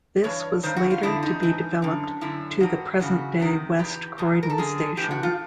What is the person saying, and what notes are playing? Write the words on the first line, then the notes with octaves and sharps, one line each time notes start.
This was later to be developed to the present-day West Croydon station.
G2 E3 C#5
G2 D#3 C5
F#4
F4
F2 D3 E4
D#4
G#2 E3
F#2 D3
F#2 D3 E4
G2 D#3 F#4
F#2 C#3 E3 F#4
E2 C3 D#3
C3 E3 G4
E2
E2 B2
A#4
A4
F#2 D3 G#4
A2 E3 G4
F#4
F4